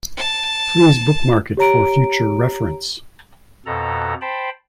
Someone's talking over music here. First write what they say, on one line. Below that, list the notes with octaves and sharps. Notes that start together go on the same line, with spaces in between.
Please bookmark it for future reference.
A5
G4 C#5 A#5 D7
F2 B2 A4 A#5
C5 G5 A5 B5